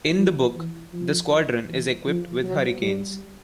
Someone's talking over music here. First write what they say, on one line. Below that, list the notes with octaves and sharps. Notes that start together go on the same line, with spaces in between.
In the book, the squadron is equipped with Hurricanes.
F3
E3
F3
E3
F3
F#3
G3